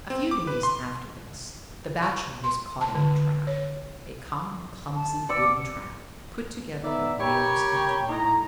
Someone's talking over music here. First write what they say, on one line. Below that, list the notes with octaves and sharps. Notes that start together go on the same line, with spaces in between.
A few days after this, the Bachelor was caught in a trap--a common, clumsy, wooden trap, put together with nails and twine.
C4
D6
B4
C6
C#6
C6
A5
D3
C#5
A5
D5 D6 E6 C#7
B3 D#4 D5 E5
G4 A#4 C#5 G5 A#5 B5
A2 A3 D#4 A#5